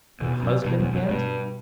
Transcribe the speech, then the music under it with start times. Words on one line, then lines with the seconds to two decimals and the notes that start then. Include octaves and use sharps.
'Your husband, aunt?
0.20 E2 B2
0.43 F#2
0.65 G2 B2
0.80 E2
0.94 F#2
1.09 G2 B2